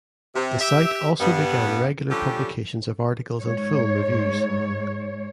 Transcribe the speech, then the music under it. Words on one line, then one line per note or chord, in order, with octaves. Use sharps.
The site also began regular publications of articles and film reviews.
C3
G4 E5
G2 B3
D3 F3 G3 C#4 G4 A4
G#2 C#5